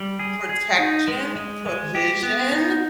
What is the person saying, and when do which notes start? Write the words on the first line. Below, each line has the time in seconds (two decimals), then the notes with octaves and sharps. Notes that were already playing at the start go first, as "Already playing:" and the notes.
Protection, provision
Already playing: G3
0.19 G#4
0.49 G#4
0.78 D#4
1.08 G#3
1.36 G#3
1.66 G#3
1.95 G4
2.23 B3
2.52 D#4